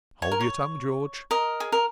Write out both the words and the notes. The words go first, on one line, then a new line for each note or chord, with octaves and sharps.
Hold your tongue, George!
C#5
A#4
C#5
A#4 D#5
G#4
A#4